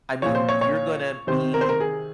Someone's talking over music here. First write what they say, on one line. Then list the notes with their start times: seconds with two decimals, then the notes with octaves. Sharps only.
I mean you're gonna be
0.22 A#2 F3 C#5
0.35 C5
0.49 C#5
0.61 C#5
1.27 C3 D#3 C5
1.54 A#4
1.61 C5
1.69 A#4
1.80 G#4